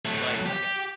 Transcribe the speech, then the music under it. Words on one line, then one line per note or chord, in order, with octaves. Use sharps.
life, I guess
F#3 A3
G4